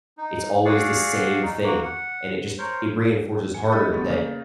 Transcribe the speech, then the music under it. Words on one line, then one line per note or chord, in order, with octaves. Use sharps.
It's always the same thing, and it just ch it reinforces harder that
D#4
F#4 G#4 D5 F5 F#5
D#4
A#3 F#4
F#5
A#4 C5 C#5
G#5 C#7
D#5 E5 B5 D#6 G6 A6
G1 G3 A3 B3
C#3 A#3